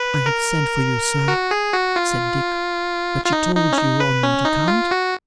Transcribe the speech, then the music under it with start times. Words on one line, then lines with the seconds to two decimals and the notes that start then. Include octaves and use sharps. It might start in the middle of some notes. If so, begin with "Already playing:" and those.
'I have sent for you, Sir,' said Dick--'but she told you on what account?'
Already playing: B4
0.26 A#4
1.28 F#4
1.51 G#4
1.73 F#4
1.96 F4
3.25 F4
3.33 D#4
3.55 D#4
3.72 C#4
3.77 D#4
4.00 B4
4.23 C#4
4.45 D#4
4.68 F4
4.91 F#4